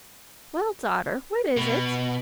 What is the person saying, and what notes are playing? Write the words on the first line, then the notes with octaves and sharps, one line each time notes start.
"Well, daughter, what is it?"
B2